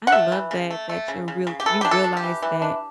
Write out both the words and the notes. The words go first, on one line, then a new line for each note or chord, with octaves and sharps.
I love that that you're real you realize that,
F#5
A3 E5
E3
C#3
A3
A3
C#3
C#3
C#3
G4
E3 A4
D4 G4
A4
D4
G4
E3
E3
D4